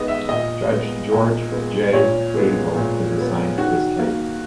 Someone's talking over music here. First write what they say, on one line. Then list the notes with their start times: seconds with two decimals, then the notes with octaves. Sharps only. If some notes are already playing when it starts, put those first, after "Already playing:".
Judge George J. Hazel is assigned to this case.
Already playing: D#3 G#3 B3 D#5
0.08 E5
0.28 A#2 D#5
0.70 G#3 B3
1.11 A#2
1.52 G#3 B3
1.93 A#2 C#5
2.34 G#3 B3
2.76 A#2
3.16 G#3 B3
3.58 D#3 F#4
3.99 A#3